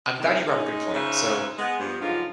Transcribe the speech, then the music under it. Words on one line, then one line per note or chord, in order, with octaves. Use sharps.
I'm glad you brought up a good point. So,
C3 D#3
G#3 C#4 D#4
C#3 D#4 F4 B4 C5 E5
G#3 B3
G2 F3 B3
G#2 D3 F3 F#3 F4